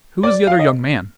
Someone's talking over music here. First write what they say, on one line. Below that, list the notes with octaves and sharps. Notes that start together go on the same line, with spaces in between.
"Who is the other young man?"
D5
F5
D#5